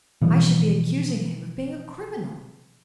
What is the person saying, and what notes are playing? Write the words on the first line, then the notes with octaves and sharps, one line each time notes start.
I should be accusing him of being a criminal.
B2 E3 F3 G3